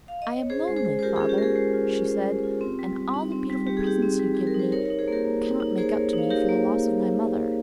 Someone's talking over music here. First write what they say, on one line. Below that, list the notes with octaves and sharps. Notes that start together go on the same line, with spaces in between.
'I am lonely, father,' she said, 'and all the beautiful presents you give me cannot make up to me for the loss of my mother.
F5
D#5
C#5
C#4 G#4 C5
G#3
G#4 C5
G#3
C5
F4 G4 A#4
C#4 G#4
G4
G#3 G#4 A#4
G#3 G4
F4
C#4
G#3
G#3
F4
C4
G3
G3
D#4
C4
G3
G3 G4
G#4
D#4 G4
C4
G3
G3 G#4
A#4
D#4
C5
D#4 A#4 C#5
D#4 A#4 C#5
G#4 C5
A#3 G4 A#4
A#3
D#4
D#4
A#3 G#4 C5
A#3 A#4 C#5
D#4 C#5 F5
D#4 G4 A#4
A#3